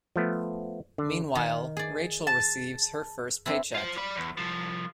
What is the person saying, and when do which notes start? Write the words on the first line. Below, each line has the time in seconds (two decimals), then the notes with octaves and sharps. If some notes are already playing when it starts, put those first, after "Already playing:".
Meanwhile, Rachel receives her first paycheck.
0.16 F3 A3 B3
0.98 D3
1.35 D#3
1.77 G#4 D5
2.27 A5
3.46 C4 D4 E4
3.75 F4 C5
3.97 D5 B5
4.17 E2
4.37 C2 F3